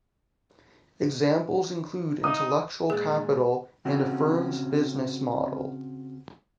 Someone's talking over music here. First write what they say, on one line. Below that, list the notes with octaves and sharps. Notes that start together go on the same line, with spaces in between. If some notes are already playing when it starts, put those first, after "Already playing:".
Examples include intellectual capital and a firm's business model.
D#4 D#6
A#2 G#3 G#4
C#3 C4 C#4 F#4